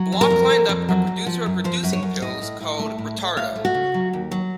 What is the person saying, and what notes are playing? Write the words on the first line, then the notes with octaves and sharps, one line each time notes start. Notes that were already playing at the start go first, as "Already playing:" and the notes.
Block lined up a producer of reducing pills called "Retardo".
Already playing: F#3
F2
A#4
F2
F2
F2
F#3
F#2
F3
F#2
F3 C5
F#2
C#5
F#2
A2 D#5
A2
A2
A3
A2
A2
A3 F5
A3
F#4
C#3
F#3
D#2
F#3